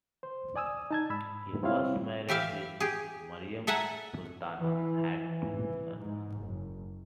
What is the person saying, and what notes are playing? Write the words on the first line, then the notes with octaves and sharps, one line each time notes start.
His first marriage with Maryam Sultana had two sons.
C5
D5 G#5 D#6 E6
D#4 A5 G#6
G#2 B5 E6
G3 C4 E4 F4 C#5 F5
E3 G4 E5 F5
G4 G#4
A4 E5 F#5 G#5 A#5
E3
E3
G#2
F#1